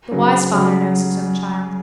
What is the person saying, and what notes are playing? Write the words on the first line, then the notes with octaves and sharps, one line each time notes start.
The wise father knows his own child.
C#3 F#3
C#3 F#3